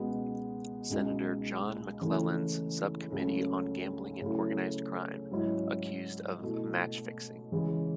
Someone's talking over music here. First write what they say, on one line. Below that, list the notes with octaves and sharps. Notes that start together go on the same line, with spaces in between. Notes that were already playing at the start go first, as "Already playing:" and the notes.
Senator John McClellan's subcommittee on Gambling and Organized Crime, accused of match fixing.
Already playing: C#2 B2 G#3 B3
C#2 B2 G#3 D#4
C#3 E3 A3 E4
C#2 C#3 F#3 A3
C#3 F#3 A3 E4
G#2 F#3 C#4 E4
B2 A3 E4
C#2 C#3 E3 G#3